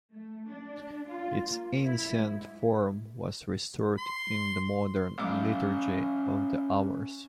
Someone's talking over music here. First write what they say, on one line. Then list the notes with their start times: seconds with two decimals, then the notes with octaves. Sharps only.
Its ancient form was restored in the modern Liturgy of the Hours.
0.14 A3
0.48 D4
1.08 F4
1.40 A#3
1.85 E4
2.15 G#2
3.98 C6
5.18 A1 F#3 G#3 C#4 E5 F5 D6